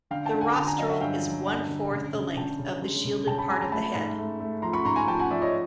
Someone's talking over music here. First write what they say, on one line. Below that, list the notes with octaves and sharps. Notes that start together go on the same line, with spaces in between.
The rostral is one-fourth the length of the shielded part of the head.
D3 F5 G5
G5 A5
D3
F#5 G#5
D3 G5 A5
G#5 A#5
F#3 D#5 F5
E5 F#5
G2 F5 G5
F#3
G2 F#5 G#5
D3
C#3
C#3
C#3 G5 A5
C#3
G#3
C#3
C#3 G5 A5
A5 B5
G#3 G#5 A#5
G5 A5
A3 A5 B5
G#2
A3
A3
F3 A#5 C6
B5 C#6
G#2 A#5 C6
G#5 A#5
F3 G5 A5
F#5 G#5
F3 D5 E5
C#5 D#5